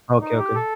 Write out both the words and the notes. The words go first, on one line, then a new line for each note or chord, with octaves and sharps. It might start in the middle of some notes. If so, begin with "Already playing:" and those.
Okay, okay.
D#4
G4
A4